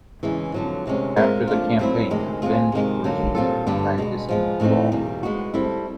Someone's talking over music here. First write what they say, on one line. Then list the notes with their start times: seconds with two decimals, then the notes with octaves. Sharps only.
After the campaign, Finch resumed practicing law.
0.23 E2 C#3 E3 G#3
0.54 F2 D3 F#3
0.86 D2 C3 D#3 G#3 C#4
1.17 G#3 C4 F4 A#4
1.47 F3 A3 D4 F4
1.79 F#3 A3 C4 E4
2.10 D2 C3 D#3 G#3
2.42 G#3 C4 F4 G#4
2.72 C3 D#3 G#3
3.04 D3 F#3 A#3
3.35 A#2 G3 C4 F4 A4
3.67 G2 D3 G3 B3 D4
3.98 B2 G#3 B3
4.29 F3 G#3 B3
4.60 A2 E3 A3 C4 D#4
4.92 E2 B2 G3 A#3
5.23 G#3 B3 D#4 F#4
5.54 G3 C4 E4 A4